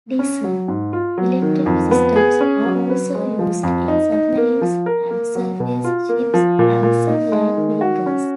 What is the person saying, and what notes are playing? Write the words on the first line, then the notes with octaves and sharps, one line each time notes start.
Diesel-electric systems are also used in submarines and surface ships and some land vehicles.
C#4
F#3
G#2
F4
F#3
D#3
F2
B3
G#4
C#4
F#3
B4
G#3
F3
F2
D#4
D#4
A#3
F3
A#4
A#3
F#3
B2
F4
A#3
F3
A#2
A#2
D#4
G#3
D#3
F#4
C#4